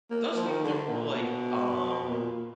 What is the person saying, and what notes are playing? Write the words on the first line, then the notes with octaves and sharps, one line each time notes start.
Those people are more like, um
A#3
F3
D#3
D3
A#2
B2
A#2